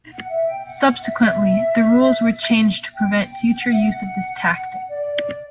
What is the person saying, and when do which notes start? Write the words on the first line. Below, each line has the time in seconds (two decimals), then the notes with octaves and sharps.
Subsequently, the rules were changed to prevent future use of this tactic.
0.12 F#5
0.29 E5
0.47 G5
0.66 F#5
0.91 F#5
1.01 E5
2.95 G5
3.31 G5
3.49 G5
3.60 F#5
3.71 E5
3.83 F#5
4.89 D5
5.13 D5